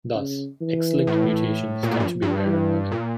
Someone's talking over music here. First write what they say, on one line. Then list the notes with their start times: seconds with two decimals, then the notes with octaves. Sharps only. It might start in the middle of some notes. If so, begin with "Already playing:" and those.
Thus, X-linked mutations tend to be rare in women.
0.15 C#3
0.61 E3
1.07 A2
1.83 A#2
1.91 A2
1.99 G2 F3
2.22 G2
2.46 E3
2.92 A#2